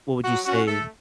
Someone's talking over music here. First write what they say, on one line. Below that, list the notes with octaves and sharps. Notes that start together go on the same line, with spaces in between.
What would you say
F#3 F#4
C#4 F#4
A3 A4